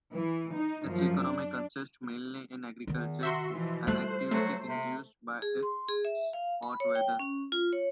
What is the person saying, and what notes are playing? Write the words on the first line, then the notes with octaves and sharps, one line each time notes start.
Its economy consists mainly in agriculture, an activity induced by its hot weather.
E3
D#4
F#2 F3
D4
E2 D#3 F4
C3 F#4 E5 C6
B2 E3 F3
G3 A3 F4 C5 F#6
F#3 A3
C3
G#4
C6
G#4
E5
F5
B5
C#5
G5
C#4
F4
C#5